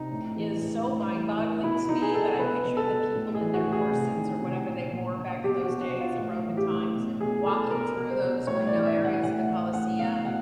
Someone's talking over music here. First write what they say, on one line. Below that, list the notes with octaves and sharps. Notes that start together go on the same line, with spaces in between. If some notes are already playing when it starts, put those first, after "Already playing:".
is so mind-boggling to me, but I picture the people in their corsets or whatever they wore back in those days, the Roman times, walking through those window areas of the Colosseum,
Already playing: C3 D#4
A2
E3
A2
A2
E3
A2
B2 E4
B2 D#4
G#4
B2 A4
B2 B4
B2
A4
B2
A2
G#4
E3
F#4
A2
G#4
C3
D#3
C3
A#2
A#2
A#2
B2 G4
F#4
B2
F#4
B2
F4
A2
E3
G4
A2
B2
B2 G#4
B2 A4
B2 A#4
B2
C5
B2
A2 C#5
D5
E3
E5
A2
F#5
A2 F#5
E3
A2 F#5
B2 F5
B2 F#5